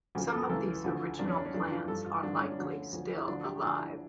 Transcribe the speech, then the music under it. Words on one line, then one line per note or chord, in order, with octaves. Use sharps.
Some of these original plants are likely still alive.
D2 C#3 F3
A4
A#4
C#2 C#3 E3 A4
D2 D3 F3
E2 C#3 F3 D4
C#4
D4
C#4
F2 C#3 E3 D4
F4
G2 F3 A4
F4
G2 D3 F3 D4
C#4
D4
D2 D3 F3 C#4
D2 D3 F3
E4
D2 D3 F3 D4
G4
D2 D3 F3 D4
E4